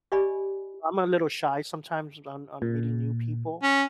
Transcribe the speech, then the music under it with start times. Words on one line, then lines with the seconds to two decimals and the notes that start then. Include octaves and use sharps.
I'm a little shy sometimes on on meeting new people.
0.12 G4 D5 D#5 G#5 B5
2.62 A#2
3.63 C#4